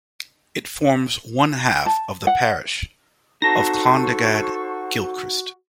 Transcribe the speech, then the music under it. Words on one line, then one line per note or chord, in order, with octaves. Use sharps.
It forms one half of the parish of Clondegad-Kilchrist.
A5
F#5
D#4 F#4 A4 C5 A5 C#6 A#6